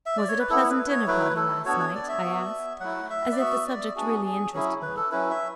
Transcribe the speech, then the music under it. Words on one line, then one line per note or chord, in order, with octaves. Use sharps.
"Was it a pleasant dinner-party last night?" I asked--as if the subject really interested me.
E5
D5
C#5
B4
B3 E4 A4
B4
C#5
F#3 A3 E4 B4
A4
B3 D4 F#4 C#5
C#5
D5
E5
B3 F#4
F#3 A3 E4 F#5
E5
D5
B3 F#4 E5
D5
B3 D4 F#4 G#4
G#4
F#3 C#4 E4 G#4
B4
A4
F#3 C#4 E4 B4
E5